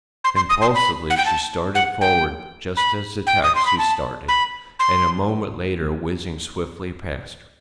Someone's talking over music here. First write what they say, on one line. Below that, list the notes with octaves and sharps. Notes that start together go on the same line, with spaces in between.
Impulsively she started forward, just as the taxi started and a moment later whizzed swiftly past her.
C6
C6
D#6
C6
B5
F#5
G5
A5
F#5
G5
B5
G5
D#6
C6
B5
A5
B5
C6